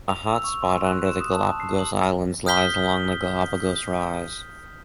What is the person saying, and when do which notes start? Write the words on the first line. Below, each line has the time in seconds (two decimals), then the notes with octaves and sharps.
A hotspot under the Galapagos Islands lies along the Galapagos Rise.
0.09 F7
0.33 E6
0.44 C#6
0.62 C6
0.84 F#6
1.06 E7
1.20 D#6
1.34 A5
1.60 C7
1.79 F#7
2.46 D#6 F6 G6 B6 G7